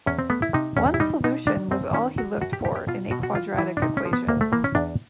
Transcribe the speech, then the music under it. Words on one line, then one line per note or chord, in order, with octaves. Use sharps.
One solution was all he looked for in a quadratic equation.
E2 C#4
C4
A3 B3
E4
C3 D#4
E2 C#4
E4
G3 D#4
B2 D#4
D#3 D4
F#2 C4
D#3 C#4
F#3 F#4
F#2 F#4
G4
F#2 G4
G4
B2 F4
B2 F#4
F#4
E3 F4
E3 E4
D4
C3 D#4
C#4
F3
B3
D2 A#3
A3
E3 A#3
C#4
E2 D4